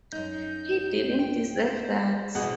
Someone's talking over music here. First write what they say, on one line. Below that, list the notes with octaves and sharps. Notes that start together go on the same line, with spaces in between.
He didn’t deserve that.
F#2 D#4 G6
G5
C5
A1 B2 E3 G#4 A#4 F#5